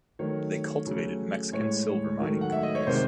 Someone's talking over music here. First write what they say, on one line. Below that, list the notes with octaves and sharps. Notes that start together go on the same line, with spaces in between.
They cultivated Mexican silver mining companies.
D#3 F#3 A3 C#5
C#3 F#3 A3
A2 G#3 C#5
D#3 F#3 A3
F#5
E5
D#5
C#5
C3 D#3 G#3 C5